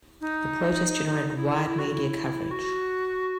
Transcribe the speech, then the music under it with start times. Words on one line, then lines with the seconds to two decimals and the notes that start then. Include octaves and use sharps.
The protest generated wide media coverage.
0.21 D#4
1.36 E4
1.65 E4
1.79 F#4
1.93 E4
2.51 F#4